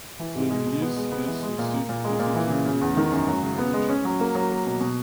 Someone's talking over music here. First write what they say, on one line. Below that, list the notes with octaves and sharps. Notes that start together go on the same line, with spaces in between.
The release has received positive reviews and mild chart success.
E3
G#2
G#3
B2
B3
G#3
B3
E3
G#3
A#2
A#3
A#2
G#3
A#2
E3
C#3
C#3
E2
D#3
F#2
F#3
C#3
B3
G#3
C#4
F#3
A#3
F#3
A#3
B2
B2